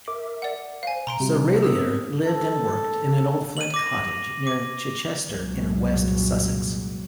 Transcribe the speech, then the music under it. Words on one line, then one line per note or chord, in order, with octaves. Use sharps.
Serraillier lived and worked in an old flint cottage near Chichester, in West Sussex.
A#4 E5 D6
D5 F#5
C5 F5 G#5
B2 A#5 C6 D7
C3 G3 F#4
B3 C4 G4 A#4 D#6 E6
A4
D#7 F#7
D6 A#6
D6
C2 F#2 A#2 F#3 G#3